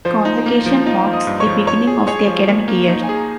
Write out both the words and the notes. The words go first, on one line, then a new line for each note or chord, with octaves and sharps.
Convocation marks the beginning of the academic year.
F3 C5
D#4
A#3
F3
D#4 F4 F5
F3
D#5 D#6
G2
C#5 C#6
F3
F3 C#5 C#6
G#4
G#4 C#5 C#6
F3
A#3
A#3
D#4
G#5
G#4
A#5